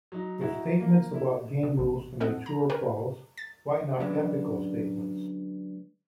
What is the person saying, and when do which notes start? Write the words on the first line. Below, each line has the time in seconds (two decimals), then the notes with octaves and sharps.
If statements about game rules can be true or false, why not ethical statements?
0.12 F#3 D#4
0.41 D#4 E4 F#4
0.80 A#3
1.14 E4
1.63 B2
1.79 A1
2.20 C4 A4 D#5 F#5
2.46 A#5
2.70 A#4 B4 C#5 G5
3.37 A6
4.00 D3 F#3 G#3 B3 C#4 D4